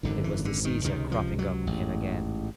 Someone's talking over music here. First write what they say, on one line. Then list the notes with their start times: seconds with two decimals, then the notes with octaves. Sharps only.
It was the Caesar cropping up in him again.
0.03 G#1 F#2 D3 D#3
0.24 E3
0.45 D3
0.65 D#3
0.85 C#2 C3 D#3
1.12 F3
1.39 F#3
1.67 A1 G#2